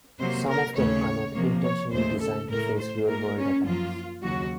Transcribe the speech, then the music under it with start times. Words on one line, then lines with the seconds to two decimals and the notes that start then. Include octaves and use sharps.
Some of them are not intentionally designed to face real-world attacks.
0.19 C3 F#3 A#3 C5
0.48 A#4
0.76 D#2 C#3 A3 C#5
1.34 C3 F3 A#3
1.63 C#5
1.92 D#2 C#3 A3 C5
2.20 A4
2.49 A2 A3 A#4
2.78 C5
3.06 A#2 A3 A#4
3.36 C#4
3.65 F#2 F3 A#3 F4
4.22 D#2 C#3 F#3 F#4